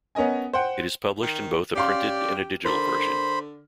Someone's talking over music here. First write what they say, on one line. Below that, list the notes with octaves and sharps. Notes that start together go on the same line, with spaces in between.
It is published in both a printed and a digital version.
B3 C#4 A#4 D#5 G#5
C5 F#5 G5
D#3
C#4 G4 D5 F5 C6
D3 A#4 C5 B5